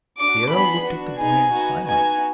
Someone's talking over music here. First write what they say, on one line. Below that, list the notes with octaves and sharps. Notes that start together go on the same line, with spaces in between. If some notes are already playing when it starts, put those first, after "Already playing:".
The Earl looked at the boy in silence.
D4 F#4 D6
B3 D4 G#4 B5
D4 F#4
B3 D#4 G#4 G#5
B3 D#4 F#4
B3 D#4 F#4 G#5